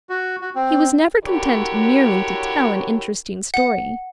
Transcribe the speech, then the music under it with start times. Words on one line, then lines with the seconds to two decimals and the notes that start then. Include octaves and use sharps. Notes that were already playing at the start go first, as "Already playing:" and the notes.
He was never content merely to tell an interesting story.
0.09 F#4
0.41 F#4
0.55 C4
1.24 D3 E4 F#4 G4 A#4 C#5
3.54 F#5